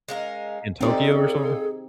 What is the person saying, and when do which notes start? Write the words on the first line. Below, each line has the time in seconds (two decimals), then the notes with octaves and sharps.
in Tokyo or something?
0.08 G#3 C#4 A#4 F5
0.81 C4 D#4 F4 G4 A4 D5
1.11 G#4